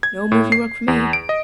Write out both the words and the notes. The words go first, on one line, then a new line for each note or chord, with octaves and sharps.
No movie work for me!
G#6
A2
C7
E2
D7
D#5